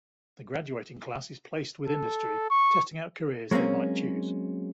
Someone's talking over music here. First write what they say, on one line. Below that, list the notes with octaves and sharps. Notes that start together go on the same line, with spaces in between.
The graduating class is placed with industry, testing out careers they might choose.
A4
C#6
F#3 G#3 A#3 C4 C#4